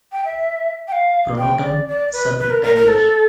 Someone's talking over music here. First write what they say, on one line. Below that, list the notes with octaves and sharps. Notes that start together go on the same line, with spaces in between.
Pronotum sub rectangular.
G5
E5
G5
F5
G5
D5
D5
B4
B4
A#4
A#4
A#4
A4